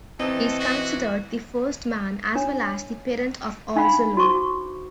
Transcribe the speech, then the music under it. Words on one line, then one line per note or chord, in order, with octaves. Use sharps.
He is considered the first man as well as the parent of all Zulu.
E3 C4 A4 D#5
F#4
D4 C#5
D4 D#4 F5 F#5 B5
F#4 C5 C#6 D6